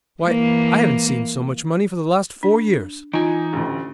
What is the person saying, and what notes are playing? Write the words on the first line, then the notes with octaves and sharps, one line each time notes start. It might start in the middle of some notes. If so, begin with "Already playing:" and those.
Why, I haven't seen so much money for the last four years!
E3 A#3
D4
E3 D#4 F4 G#5
A1 D2